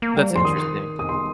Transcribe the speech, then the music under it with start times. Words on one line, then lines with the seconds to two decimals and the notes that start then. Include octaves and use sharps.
That's interesting.
0.02 A#3
0.16 G3
0.30 F3
0.36 C6
0.45 D#3 D#6
0.99 D#6
1.09 C6